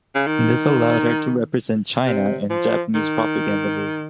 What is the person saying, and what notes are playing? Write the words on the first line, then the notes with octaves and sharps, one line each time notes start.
This allowed her to represent China in Japanese propaganda movies.
C#3
D#3
C3
F3
D#3